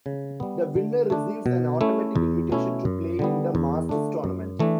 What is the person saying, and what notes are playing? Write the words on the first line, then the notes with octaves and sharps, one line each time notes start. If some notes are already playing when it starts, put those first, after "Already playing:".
The winner receives an automatic invitation to play in the Masters Tournament.
C#3
G3 B3
D3
A3 D4
B2
A3 C#4 E4
E2
B2 A3 C#4 E4
F#2
D3 G3 B3
E2
D3 A3 D4
F#2
E3 A3 D4